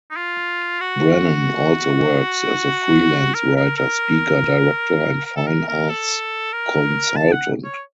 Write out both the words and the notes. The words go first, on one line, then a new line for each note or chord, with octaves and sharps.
Brannan also works as a freelance writer, speaker, director and fine arts consultant.
D#4
F4
F#4
A#4
A#4
A#4
A#4
A4
A#4
A#4
A4
A#4
A5
F#5
C#5